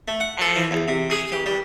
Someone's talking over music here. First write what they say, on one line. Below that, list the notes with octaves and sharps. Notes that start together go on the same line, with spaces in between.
and I don't
A3
F#5
A4
E3
E2
C3
G#4
G4
G3